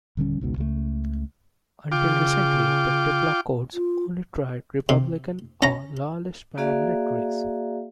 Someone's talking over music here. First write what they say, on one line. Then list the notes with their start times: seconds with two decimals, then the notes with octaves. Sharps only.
Until recently the Diplock courts only tried Republican or Loyalist paramilitaries.
0.17 D#1 D3 G3 C#4
0.40 G#1 C#2 G#2 B2
0.57 C#2 C#3 F3 A3
1.92 C#3 F4 G5 D6
3.74 F4
4.89 C3
5.62 C#4 A#5
6.58 A#3 F#4 G#4 D5 E5 F5